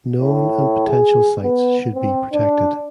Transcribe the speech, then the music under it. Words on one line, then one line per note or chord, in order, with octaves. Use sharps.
Known and potential sites should be protected.
A2
G#4
B3
C4
D4